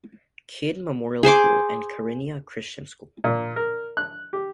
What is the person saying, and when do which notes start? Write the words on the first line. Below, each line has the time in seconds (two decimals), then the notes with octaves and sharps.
Kidd Memorial School and Carinya Christian School.
1.23 G#4 C5 C6 D6
3.24 A#2
3.56 A#4
3.97 F#6
4.33 G4